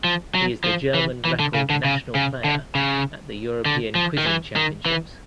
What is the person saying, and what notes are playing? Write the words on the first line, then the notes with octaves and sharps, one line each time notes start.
He is the German record national player at the European Quizzing Championships.
F3
F#3
F3
E3
E3
D3
C#3
D3
C#3
C#3
D3
C#3
D3
F3
D#3
E3
D#3
E3